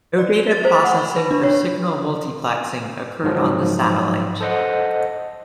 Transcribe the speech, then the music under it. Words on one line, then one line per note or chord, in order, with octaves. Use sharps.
No data processing or signal multiplexing occurred on the satellite.
D5
G7
A6
C5
F#5
B5
B4
D4
C#5
G#2 F3 F#3
A4 C5 D#5 F#5